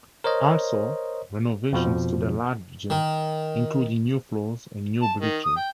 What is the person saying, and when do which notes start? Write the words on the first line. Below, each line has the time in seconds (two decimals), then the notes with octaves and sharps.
Also, renovations to their large gym including new floors and new bleachers.
0.24 A#4 C5 C#5 D#5
1.73 F2 B2 F3
2.90 D#3
5.02 A5
5.20 D#3
5.45 D#6
5.57 G5